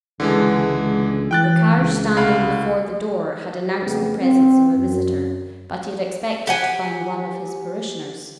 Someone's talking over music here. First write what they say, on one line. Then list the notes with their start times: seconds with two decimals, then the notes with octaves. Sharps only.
The carriage standing before the door had announced the presence of a visitor; but he had expected to find one of his parishioners.
0.20 C#2 D3 E3 G#3
1.31 E3 G5 F#6 A6
1.76 C#2
2.17 C2 F5 B5
3.83 F2 C#3 A3 B3 G4 G#4
4.21 C4
4.76 F#2
6.47 G4 F#5 G#5